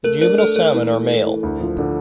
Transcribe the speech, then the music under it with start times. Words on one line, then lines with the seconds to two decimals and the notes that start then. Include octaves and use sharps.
The juvenile salmon are male.
0.04 A3 A#4
0.21 D4 A#4
0.38 A3 A4
0.56 A3 A#4
0.74 E3
0.91 A3
1.08 E3
1.26 E3
1.43 D2
1.60 F3
1.78 D3